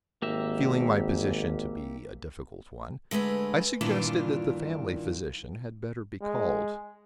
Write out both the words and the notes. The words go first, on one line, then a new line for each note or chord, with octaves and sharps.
Feeling my position to be a difficult one, I suggested that the family physician had better be called.
G#1 A#3 G4 E5
D3 G#3 A3 B4
G2 A#2 D#3 E3 D4 F4
G#3